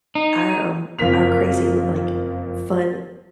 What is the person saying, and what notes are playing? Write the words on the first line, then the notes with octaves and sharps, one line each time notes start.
our, um, our crazy like fun
D#4
F#1 F2 F4 A#4 B6 F7